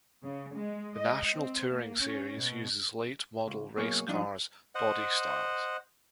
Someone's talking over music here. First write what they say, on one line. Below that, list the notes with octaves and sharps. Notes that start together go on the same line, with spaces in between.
The national touring series uses late model racecars body styles.
C#3
G#3
D#5
C4
A#3
C#4
B2
C#2
F#2 B2 A#3 G#4 C#5
G2 F3 D4 D#4
C5 D#5 F#5